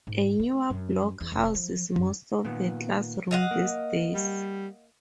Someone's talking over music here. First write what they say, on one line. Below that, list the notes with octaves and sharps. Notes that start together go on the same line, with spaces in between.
A Newer block houses most of the class rooms these days.
G#2
A3
F#2
E2
F1
F3
F#2
A#2 D#3 B3
D#5 F5 F#5
A#3
G3